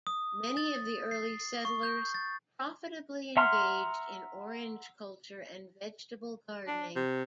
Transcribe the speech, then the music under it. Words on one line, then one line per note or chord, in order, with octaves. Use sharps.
Many of the early settlers profitably engaged in orange culture and vegetable gardening.
D#6
A6
C7
C#6
G6
A6
E5 F#5 A#5 C6 F6
D4
C3